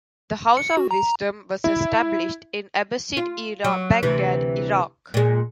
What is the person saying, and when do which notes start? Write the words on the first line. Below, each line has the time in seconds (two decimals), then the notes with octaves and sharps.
The House of Wisdom was established in Abbasid-era Baghdad, Iraq.
0.57 C#7
0.77 F#4
0.91 A#5
1.64 E4
3.17 F4
3.64 F#3
4.03 D2 C3 E3
5.14 A#2 G#3